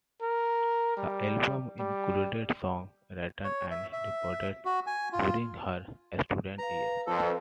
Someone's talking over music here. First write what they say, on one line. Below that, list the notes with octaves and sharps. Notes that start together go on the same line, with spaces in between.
The album included songs written and recorded during her student years.
A#4
G3
G3
C#5
E5
E5
F#4
G#5
F4
B4 F5 A#5
F2 A4